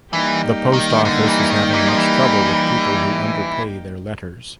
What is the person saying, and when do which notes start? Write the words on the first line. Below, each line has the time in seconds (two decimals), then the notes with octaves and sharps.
The Post Office is having much trouble with people who under-pay their letters.
0.12 E3 G3 A#3 D#4 G4
0.73 D#3
1.05 D3
1.27 E3
1.51 D#3
1.73 E3
1.88 F3
1.97 E3